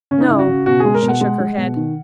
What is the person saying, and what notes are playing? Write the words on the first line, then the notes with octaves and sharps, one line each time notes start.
"No." She shook her head.
C#3 C#4
D#4
C#3 E4
F#4
C#3
B2 F#4
G#4
G#3
A#4
B2
F#5
G#3
G#3
B2
D#3